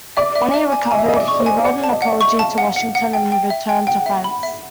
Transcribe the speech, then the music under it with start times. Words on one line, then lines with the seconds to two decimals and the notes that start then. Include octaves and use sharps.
When he recovered, he wrote an apology to Washington and returned to France.
0.17 D5 E5
0.35 E5
0.54 E5
0.72 G#5
0.91 D#5 G#5
0.98 E5
1.06 D#5
1.09 G#5
1.16 D5
1.28 C#6
1.40 C5
1.46 G#5
1.64 D5 F#5
1.84 A5
1.90 D#5
2.02 F#5
2.15 E5
2.21 C#6
2.39 F5 A5
2.58 F#5
2.76 F#5
2.95 F#5
3.13 G5
3.32 G5
3.50 E5
3.69 G5
3.87 F#5 G5
4.06 E5
4.24 B5
4.43 E5